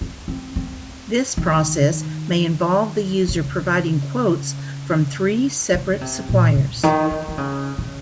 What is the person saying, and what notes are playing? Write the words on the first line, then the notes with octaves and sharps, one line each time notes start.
This process may involve the user providing quotes from three separate suppliers.
C4
C4
C4
D#3
C#3
C#3
C3
A#2
C3
D#3
D#3
D#3
C#3
C#3